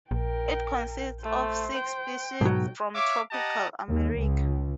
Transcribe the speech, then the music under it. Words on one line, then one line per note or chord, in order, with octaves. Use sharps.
It consists of six species from tropical America.
A#1 A#4 G5
A3 C5
G5
B1 G#2 F#3
C#5 E5 F5 D6
G4 D#5 F#5 A5 A#5
D#2
C#2